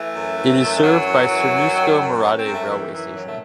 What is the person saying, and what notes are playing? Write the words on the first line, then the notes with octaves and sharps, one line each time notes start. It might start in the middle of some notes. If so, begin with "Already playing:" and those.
It is served by Cernusco-Merate railway station.
Already playing: E3 A3
F#2
E3
F#2
G#3
E3 F#3
F#2
E3
F#2
D#3
F#2
D#3 C#4
C4
F#2
A3
D#3 E3
F#2 E3
D#3 F#3
A3